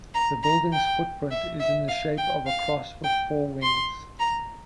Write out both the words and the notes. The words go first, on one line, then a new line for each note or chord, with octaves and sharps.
The building's footprint is in the shape of a cross with four wings.
A#5
A#5
G5
E5
E5
F5
G5
F5
G5
C6
A#5